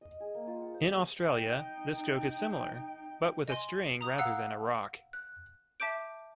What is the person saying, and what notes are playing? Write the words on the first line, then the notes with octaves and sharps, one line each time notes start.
In Australia this joke is similar but with a string rather than a rock.
D#5
G#4
A#3
F4
F#5
C5
G4
D#4 G5
D#5 G#5 C6
A#5 D#6
F5 F#5 A#5 E6 F#6
F#6
E5 A5 D6 G6 D7